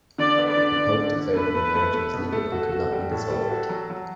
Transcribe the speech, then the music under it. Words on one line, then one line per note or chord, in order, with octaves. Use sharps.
The pope declared that the marriage was legal and could not be dissolved.
D3 D5
B3
D5
D3
D3
D3
D3
A3 B4
A3
A3
A3
B2
A3
F#4 A4
F#4
G3
A2 A4
G3
F#4
F#3
F#3